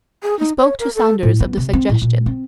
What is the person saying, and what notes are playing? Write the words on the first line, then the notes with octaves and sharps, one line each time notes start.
He spoke to Saunders of the suggestion.
G#4
D#4
C#5
A#4
A4
A2
B3
C3
C4
A2
A#2
C4